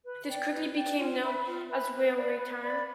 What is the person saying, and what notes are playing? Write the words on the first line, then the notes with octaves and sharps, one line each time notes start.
This quickly became known as Railway Time.
B4
D5 G5
B4
D5 G5
F4
B4 E5 B5
F4
B4 E5 B5
B4
D5 F5 B5
B4
D5 F5 B5